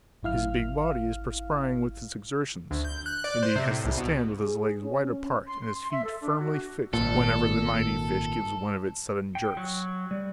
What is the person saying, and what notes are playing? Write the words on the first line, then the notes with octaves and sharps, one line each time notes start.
His big body is perspiring with his exertions, and he has to stand with his legs wide apart and his feet firmly fixed whenever the mighty fish gives one of its sudden jerks.
G#1 F#2 E4 F5 F6
D2
G6
F#6
D5
C5
C3
A2
C2
B2
G#4
C#4
C6
C6
C6
E5
A4
D4
F#4
G#1 A#2 A4
G5
F#3
G3